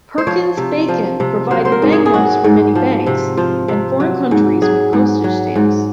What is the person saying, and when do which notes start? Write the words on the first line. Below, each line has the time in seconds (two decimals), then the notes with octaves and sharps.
Perkins Bacon provided banknotes for many banks, and foreign countries with postage stamps.
0.18 C5
0.27 F3 C#5
0.57 C3
0.88 F3
1.20 C3
1.51 F#3 C5
1.65 C5
1.72 A#4
1.82 G#2
1.92 G#4
2.06 G#4
2.13 F#3 F#4
2.44 G#2
2.75 F3
3.06 C3
3.37 F3 F4
3.68 C3
4.00 F#3
4.31 G#2
4.62 F#3 G#4
4.93 G#2
5.24 F#3
5.55 G#2